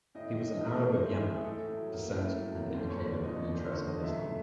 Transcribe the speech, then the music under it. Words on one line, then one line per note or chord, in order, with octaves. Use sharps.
He was an Arab of Yemeni descent and indicated an interest in Islam.
A2 D#5
A2
D#5
E3
D#5
A3
A2 C#5
A2 C5
E3 G#4
A3 G#4
A2 A4
A2
F#3
A#3
A2
A2
F#3
A#3
D#2 C5
A#3 C#5
D3 D5
F3 D#5
D#2 D5
A#3 C5
D3 C#5
F3 D#5
F#2 E5
A3